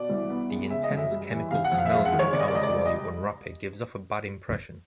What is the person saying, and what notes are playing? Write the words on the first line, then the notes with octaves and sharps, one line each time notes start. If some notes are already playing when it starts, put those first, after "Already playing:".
The intense chemical smell you encounter while you unwrap it gives off a bad impression.
Already playing: B2 D5
C2
B3
G#3
C#3 E5
D#5
F#2
E5
G3
E3
C3 F5
F#5
F2
F5
E5
G#3 F5
F#5
D#3
C#5
C3 D5
D#5
D5
C#2 D#5
D5
G3 D#5
D5
D#5